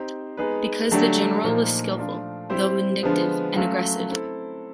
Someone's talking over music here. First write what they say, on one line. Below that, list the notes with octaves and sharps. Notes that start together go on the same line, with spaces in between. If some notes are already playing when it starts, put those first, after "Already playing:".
Because the General was skillful, though vindictive and aggressive.
Already playing: C4 D#4 G4 C5
G#3 B3 D#4 G#4 B4
D3 F#3 A3 D4 G4
A#2 F3 A#3 D#4
F3 A3 D4 F4
G3 C4 E4 G4 C5
D3 F3 G#3 B3
F#3 A3 C#4 F4
C4 E4 A4